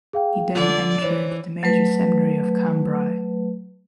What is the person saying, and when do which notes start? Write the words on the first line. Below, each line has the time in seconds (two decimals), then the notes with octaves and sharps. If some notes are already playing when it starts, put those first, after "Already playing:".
He then entered the Major Seminary of Cambrai.
0.13 G#4 F5 G5
0.55 D3 F4 D5
1.02 E3 C5 C#5
1.63 F#3 A3 B4